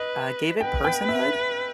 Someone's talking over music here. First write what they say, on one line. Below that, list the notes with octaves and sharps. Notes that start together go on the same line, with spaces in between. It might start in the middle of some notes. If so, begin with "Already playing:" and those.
uh, gave it personhood,
Already playing: B4 D#5
B4 G5
G5
E5